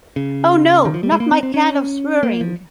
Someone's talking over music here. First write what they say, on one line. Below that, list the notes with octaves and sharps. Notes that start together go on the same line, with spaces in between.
Oh no, not my kind of swearing.
C#3
D#3
F3
G3
G#3
A#3
C4
C4
C#4
A#3
F3